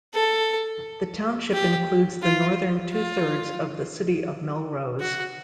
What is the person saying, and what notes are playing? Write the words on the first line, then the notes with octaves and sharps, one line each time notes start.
The township includes the northern two-thirds of the City of Melrose.
A4
G4
F4
F4
F#4